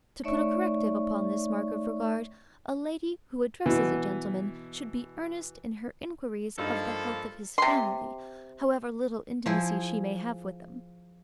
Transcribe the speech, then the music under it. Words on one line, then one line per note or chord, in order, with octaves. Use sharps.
To put a corrective upon this mark of regard, a lady who addresses a gentleman, should be earnest in her inquiries of the health of his family, however little intimacy she may have with them.
A3 D#4 C#5 D5 E5 C#6
B2 E3
G2 F3 A#3 D#4 A4
C3 C6
F3 E4 G#4